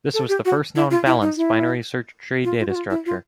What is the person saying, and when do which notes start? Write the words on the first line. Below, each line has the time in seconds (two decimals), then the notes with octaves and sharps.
This was the first known balanced binary search tree data structure.
0.14 A4
0.29 G4
0.45 F#4
0.76 E4
0.91 F4
1.06 E4
1.22 D#4
1.37 E4
2.44 F4
2.60 F4
2.69 F#4
2.75 F4
2.90 E4
3.06 F4